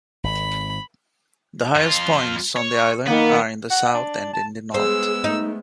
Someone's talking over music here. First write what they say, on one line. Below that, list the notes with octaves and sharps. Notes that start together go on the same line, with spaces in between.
The highest points on the island are in the south and in the north.
G#1 B5
F2 F4
C#5
D#3 A#3 B3
F#5
D4
A5
G#3 B3 G#4 C5 E6
A3 D#4